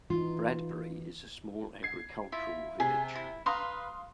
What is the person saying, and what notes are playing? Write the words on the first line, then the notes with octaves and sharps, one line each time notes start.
Bradbury is a small agricultural village.
E3 D#4 F4
G#6 C7
E4 F4 E5
C3 G#4
E4
B4 F5 A#5 C6 D#6